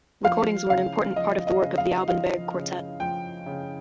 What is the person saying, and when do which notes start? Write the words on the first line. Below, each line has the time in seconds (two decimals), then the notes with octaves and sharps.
Recordings were an important part of the work of the Alban Berg Quartet.
0.24 F3 F5
0.70 C#3 F5
1.16 F3 D#5
1.47 D#5
1.62 C#3
1.78 F5
2.08 F3 F5
2.54 C#3
3.00 F3 G5
3.46 C#3